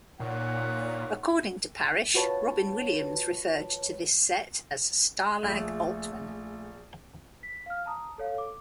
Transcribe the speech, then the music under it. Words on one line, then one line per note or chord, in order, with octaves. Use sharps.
According to Parish, Robin Williams referred to this set as "Stalag Altman".
A#2 D#4 C#5 F#5
F4 F#4 B4 C#5 A5
A#1 A3 G#4
B6
F5 F6
A5 A#5 D#6
A4 C#5 F5
D6